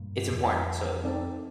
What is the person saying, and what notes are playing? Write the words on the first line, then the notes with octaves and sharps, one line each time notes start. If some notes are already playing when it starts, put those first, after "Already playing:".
it's important, so
Already playing: G2 A#2
F2
C4 D#4 A4 D5